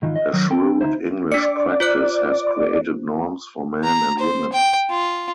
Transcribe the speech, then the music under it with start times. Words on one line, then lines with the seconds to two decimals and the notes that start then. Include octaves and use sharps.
A shrewd English practice has created norms for men and women.
0.02 G#2 D#3 E3 F4
0.16 D#5
0.33 D#3 F#3
0.50 C4 A4 G5
0.81 D2 D#4 E4 C5
1.32 D4 D5 C#7
1.80 F4 C5 F#6
3.84 A#5
4.19 C5
4.52 G5
4.90 F4